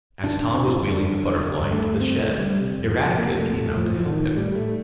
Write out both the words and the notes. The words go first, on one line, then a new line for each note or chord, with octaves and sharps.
As Tom was wheeling the Butterfly into the shed, Eradicate came out to help him.
D3 D4
F2
C4
D3
F2 D4
D3
F2
D3
G2
A3
D3
G2 C4
D3 A3
G2 G3
C3
F2
F3
C3
F2 A#3
C3 A3
F2 A3
A2 F3
A2 F3
D#3
A2
A2 G3
A2 A3